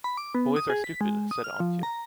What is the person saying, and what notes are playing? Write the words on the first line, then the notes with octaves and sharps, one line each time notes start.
Boys are stupid, said Antje.
B5
D6
B3
D#6
G#4
B6
G#3
D#6
F6
F3
A#5